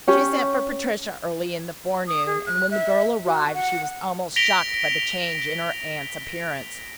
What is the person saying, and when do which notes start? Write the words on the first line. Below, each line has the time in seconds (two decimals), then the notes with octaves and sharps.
She sent for Patricia early in the forenoon, and when the girl arrived she was almost shocked by the change in her aunt's appearance.
0.08 C#4 G4 C#5
2.08 D#6
2.26 G#4
2.47 F#6
2.71 E5
3.25 F#4
3.54 F#5
4.36 A#6 B6 D7 F7 G7